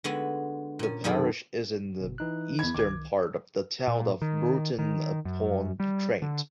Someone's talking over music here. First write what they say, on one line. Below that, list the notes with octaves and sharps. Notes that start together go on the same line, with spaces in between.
The parish is in the eastern part of the town of Burton upon Trent.
D3 G#3 B3 F#4 B4
A#2 C#4
F#2 B2 D#3 G#4 A4 D5
G1 B2
E3 D#4 F#6
E2 B5 G#6
C2 D#3 D6 G#6
A#2
D#3
D#3
F#2
G3
D3